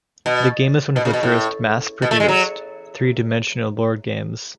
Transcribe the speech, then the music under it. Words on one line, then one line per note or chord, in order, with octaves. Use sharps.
The game was one of the first mass-produced, three-dimensional board games.
B2
B2
C#3
B2
A2
B2
A3
G#3
F#3